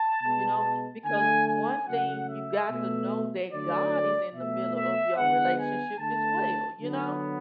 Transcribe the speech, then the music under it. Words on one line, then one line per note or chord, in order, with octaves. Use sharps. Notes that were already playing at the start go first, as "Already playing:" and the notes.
you know, because one thing you got to know that God is in the middle of your relationship as well, you know?
Already playing: A5
B2 G#3 B3
D3 A3 G#5
G#5
C#3 F#3 A3 F#5
E5
B2 A3
D3 F#3 A3 D5
B2 A3 E5
E5
D3 G#3 B3 F#5
G#5
D3 A3 A5
D3 F#3 B3